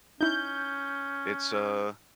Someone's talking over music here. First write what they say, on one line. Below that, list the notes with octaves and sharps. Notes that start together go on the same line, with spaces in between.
it's a
C#4 D#4 E4 G6